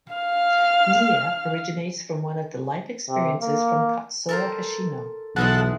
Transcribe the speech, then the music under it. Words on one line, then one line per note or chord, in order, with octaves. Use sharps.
Nea originates from one of the life experiences from Katsura Hoshino.
F5 F6
C3
A#3
A4 A#4 C5
B1 E2 B2 G#3 A4 F#5